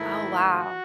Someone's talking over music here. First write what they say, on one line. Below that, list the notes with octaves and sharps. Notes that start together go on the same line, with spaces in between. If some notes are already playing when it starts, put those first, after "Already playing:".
Oh, wow.
Already playing: G#2 D#3 A3 E4
F#4